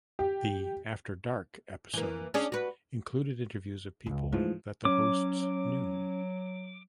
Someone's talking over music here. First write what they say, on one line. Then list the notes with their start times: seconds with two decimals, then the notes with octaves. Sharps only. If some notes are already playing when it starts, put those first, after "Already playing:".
The "After Dark" episodes included interviews of people that the hosts knew.
0.19 G4
1.94 E3 A#3
2.34 C#4 D4 G#4
2.52 F#4 B4
4.06 C#2
4.32 G#2 E3 F3 A3
4.85 F#3 C#4 D6